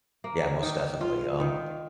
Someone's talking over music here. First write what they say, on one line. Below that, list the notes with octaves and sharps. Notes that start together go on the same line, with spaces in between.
yeah, most definitely, um
A#3
D#3
F4
D#3